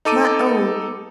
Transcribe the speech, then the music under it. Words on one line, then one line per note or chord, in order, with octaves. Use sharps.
My own!
D#4 A4 D6 D#7